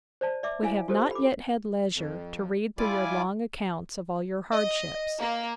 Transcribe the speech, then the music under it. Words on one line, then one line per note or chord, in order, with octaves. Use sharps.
We have not yet had leisure to read through your long accounts of all your hardships.
C5 D5 A5
D5 E5 D6
E4 F5 G#5
F4 G4 A4 C5
B5 D6
F2
G3 E4 F4 D5 G#5 D6
D#5
A#3